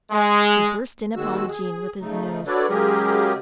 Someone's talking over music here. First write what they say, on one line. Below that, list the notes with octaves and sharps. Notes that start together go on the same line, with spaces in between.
He burst in upon Jean with his news.
G#3
D#2 D#3 G#3 F#4 E6
G#4
C#3 A3 D#4
D4 F#4 A4 B4 C#5 D5
C#3 F#3 G#3 G4 G#4 A#4